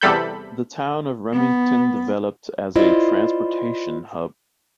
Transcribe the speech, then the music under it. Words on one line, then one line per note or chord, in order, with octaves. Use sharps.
The town of Remington developed as a transportation hub.
E2 C3 G3 A4 B5 G6
B3
E4 F4 C5 D5 D#5